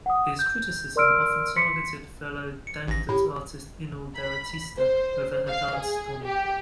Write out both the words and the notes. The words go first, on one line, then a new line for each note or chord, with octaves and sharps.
His criticism often targeted fellow dangdut artist Inul Daratista over her dance style.
F#5 D#6
G6
A#4 D5 C6 E6 F6 D7
C6 B6 C#7
C#7
A1 A#6
A2 G4 B5
B5
C5
F5
G#4
G4